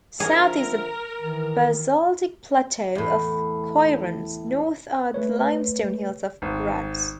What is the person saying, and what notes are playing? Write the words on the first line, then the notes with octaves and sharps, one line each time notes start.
South is the basaltic plateau of Coirons, North are the limestone hills of "Grads".
D3 F3 G#4 A#4 E5
D#3 E3
E2 A2
A3 B4 C#5
G#1